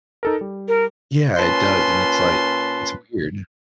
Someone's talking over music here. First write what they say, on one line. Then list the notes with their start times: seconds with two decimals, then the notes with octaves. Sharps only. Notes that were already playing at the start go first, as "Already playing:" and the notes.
Yeah. It does. And it's, like, it's weird.
0.23 D#4 A4 A#4
0.41 G3
0.68 A#4
1.38 A#2 C#4 B4 A5 C6